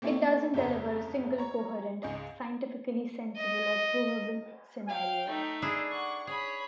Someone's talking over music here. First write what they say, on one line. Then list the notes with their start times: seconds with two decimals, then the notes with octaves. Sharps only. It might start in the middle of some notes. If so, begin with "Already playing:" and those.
It doesn't deliver a single, coherent, scientifically sensible or provable scenario.
0.02 A#3 C4 C#4 E4 A4
0.54 G1 F2 C#3 E5 A#5
1.38 C#5 A#5
2.03 C#2 G#2 G#4 D#5
3.37 D#5
4.89 F5 G5
5.27 A3 D#4
5.62 D4 E4 G#4 D5
5.91 F#5 C#6
6.27 G#4 C#5 B5